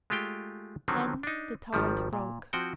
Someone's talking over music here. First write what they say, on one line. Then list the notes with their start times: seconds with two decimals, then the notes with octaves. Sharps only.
Then the torrent broke.
0.10 G#3 A3 F4 G4 G5
0.88 D3 D#3 F3 F#3 C4 C#4
1.23 D4 D#4
1.73 G#1 D#3 F3 G3
2.13 A#2
2.53 F3 C4 F#4 G5